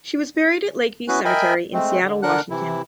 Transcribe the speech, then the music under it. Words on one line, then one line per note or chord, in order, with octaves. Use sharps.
She was buried at Lake View Cemetery in Seattle, Washington.
B3 C#4 E4 F#4 B4
A#4 D#5 E5 G5 G#5 B5
G#3 A3 C4
D3
D3 D4 A#4 F#5 F#6
C3 E3 E4